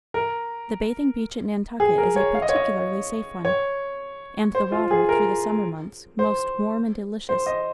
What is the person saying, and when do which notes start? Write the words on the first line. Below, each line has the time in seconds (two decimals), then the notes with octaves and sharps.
The bathing-beach at Nantucket is a particularly safe one, and the water through the summer months most warm and delicious.
0.14 A#4
1.80 G#4
1.98 A#4
2.16 C#5
2.35 F5
2.42 D#5
2.49 C#5
2.56 D#5
3.45 C#5
4.55 C5
4.72 F4
4.91 G#4
5.09 A#4
6.19 C5
7.29 C5
7.46 D#5